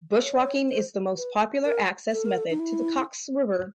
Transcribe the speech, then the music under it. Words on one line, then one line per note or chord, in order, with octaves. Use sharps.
Bushwalking is the most popular access method to the Coxs River.
C#5
D5
C#5
C5
B4
A#4
A4
A#4
A4
D#4
E4